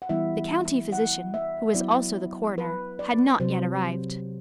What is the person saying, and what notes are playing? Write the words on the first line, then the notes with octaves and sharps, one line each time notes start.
The county physician, who was also the coroner, had not yet arrived.
F#5
E3 G3 B3 E4 E5
F#5
E5
F#3 B3 E4 D5
B4
D5
C3 F#3 C5